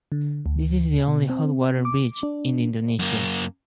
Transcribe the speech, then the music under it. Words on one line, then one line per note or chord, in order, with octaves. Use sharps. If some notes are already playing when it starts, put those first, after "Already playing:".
This is the only hot water beach in Indonesia.
D3
D2
B2
C4
D6
D4
F#2 A#3